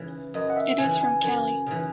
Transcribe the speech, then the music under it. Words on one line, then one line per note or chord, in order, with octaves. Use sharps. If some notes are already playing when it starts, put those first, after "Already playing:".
It is from Cali.
Already playing: C#3 E3
F#2 D#5
F#5
E5
C#3 E3 G#5
G#5
F#2
C#3 E3